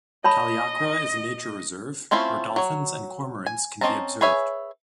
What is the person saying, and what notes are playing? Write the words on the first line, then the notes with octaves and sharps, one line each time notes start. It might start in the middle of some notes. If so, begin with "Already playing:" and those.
Kaliakra is a nature reserve, where dolphins and cormorants can be observed.
C#5 D#5 A5 B5
A3 C4 C#4 E4 F4
F#3 C#5
G#5
C4 C#4 D#5 A5 A#5
G#4 B4 C#5 E5 G#5